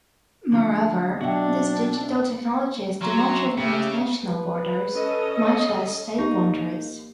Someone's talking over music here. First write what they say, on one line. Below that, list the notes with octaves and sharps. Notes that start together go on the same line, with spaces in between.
Moreover, these digital technologies do not recognize national borders, much less state boundaries.
D3 F3
B2 F#3 D4 F#4 E5 G5
F#3 E5 A#5 C6
C#3 G4 E5
B4
C#4 A4 D#5
A#3 D#4 G4